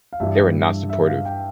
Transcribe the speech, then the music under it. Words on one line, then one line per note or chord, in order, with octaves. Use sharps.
they were not supportive.
F5
G2 E3 G3 E5
E5
F5
G5